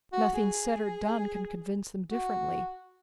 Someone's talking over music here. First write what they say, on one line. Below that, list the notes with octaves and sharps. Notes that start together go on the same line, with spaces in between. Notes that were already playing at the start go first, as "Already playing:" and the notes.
Nothing said or done can convince them differently.
F#4
G#4
F#4